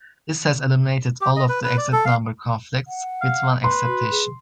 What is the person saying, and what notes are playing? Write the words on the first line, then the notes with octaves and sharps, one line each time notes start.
This has eliminated all of the exit number conflicts, with one exception.
G4
D#5
B4
B4
D5
A4
F5
F#5
F5
B4 C6
F#4
G#4